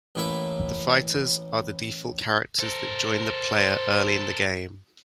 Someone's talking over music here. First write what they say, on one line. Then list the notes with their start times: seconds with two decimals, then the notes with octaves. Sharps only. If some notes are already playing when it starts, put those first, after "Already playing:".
The Fighters are the default characters that join the player early in the game.
0.15 A1 A2 A#3 E4 E5
2.60 A4 A#4 C5